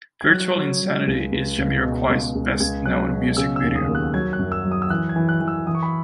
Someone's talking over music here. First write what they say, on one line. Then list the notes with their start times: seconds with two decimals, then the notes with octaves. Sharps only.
"Virtual Insanity" is Jamiroquai's best known music video.
0.21 G#6
0.30 F#3 F#6
0.56 F#3
0.82 F#3
1.07 C#2
1.32 C#2
1.58 C#2
1.84 B2
2.09 C#2
2.35 C#2
2.60 C#2 G#6
2.86 F#3 F#6
3.11 B2
3.37 C#3 E6
3.56 E6
3.63 D#2
3.75 D#6
3.88 D#2
3.95 F#6
4.14 F#3 G#6
4.33 F#6
4.39 F#2
4.52 E6
4.65 F#3
4.71 D#6
4.82 E6
4.90 E3 F#6
5.09 G#6
5.16 E3
5.29 F#6
5.41 E3
5.48 E6
5.67 E3 D#6
5.75 C#6
5.83 B5